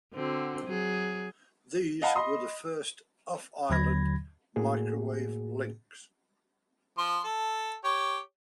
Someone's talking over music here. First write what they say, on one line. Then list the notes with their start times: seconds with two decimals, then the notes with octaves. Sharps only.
These were the first off-island microwave links.
0.14 D3 C4 F#4
0.66 F#3 G#4
2.02 D#5 F5 F#5 A5 B5
2.15 D#5 B5 C6 D#6
3.70 D#2 D3 F#3 B5 G#6 A#6
4.56 A2 A#3 F#4 G#4
6.98 F3 C6
7.24 A4
7.84 G4 C#5